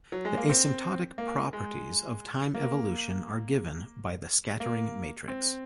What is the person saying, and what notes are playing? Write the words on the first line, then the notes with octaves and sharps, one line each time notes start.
The asymptotic properties of time evolution are given by the scattering matrix.
F#3
G#3
A#3
C4
A#3
G#3
A#3
A#3
C4